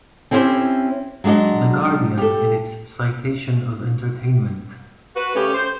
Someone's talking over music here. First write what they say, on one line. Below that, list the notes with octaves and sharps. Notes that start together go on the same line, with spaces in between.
The Guardian, in its citation of Entertainment!
C4 C#4 E4 G4 A4 C5
F#3 G#3 D4 F#4 D#5
G4 A4
F#4 B4
C#3 A3 C#4 G4
C5